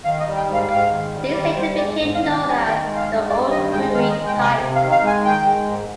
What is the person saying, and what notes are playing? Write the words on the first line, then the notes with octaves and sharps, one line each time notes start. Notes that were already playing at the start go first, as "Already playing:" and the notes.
These later became known as the "Old Crewe" types.
D#3 F5
D#5
G3
G5
G#2
F5
G#2 F5
D#3
G3
D#3 D5
G3 C5
G#2 D5
G#2 D#5
F5
D#3
G5
G3
G#5
D#3 G5
G#3
F5
G2
G2 D5
D#3 D#5
G#3 G5
D#3 F5
D#5
G#3
G5
C3
G#5
C3
F5
D#3
F5
G#3 G#5
D#3 G5
G#3
G#2